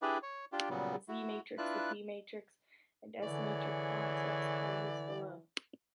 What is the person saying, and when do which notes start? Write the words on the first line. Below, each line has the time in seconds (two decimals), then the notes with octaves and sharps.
The Z-matrix, P-matrix and S-matrix concepts are used below.
0.02 D4 E4 G4 G#4 B4 D5
0.23 C#5
0.52 D4 F4 G4
0.70 A#2 C#3 F#3 G3 B3
1.08 E4 F#4
1.58 D4 E4 F4 B4 F#6
3.23 D3 E3 G#4 C#5 D5